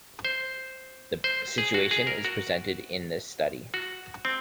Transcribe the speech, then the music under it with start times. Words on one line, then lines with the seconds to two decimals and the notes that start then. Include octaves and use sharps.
The situation is presented in this study.
0.25 C5
1.24 C5
1.58 G#4
1.74 F#4
1.91 G#4
2.07 A#4
2.25 F#4
3.74 F#4
4.25 C4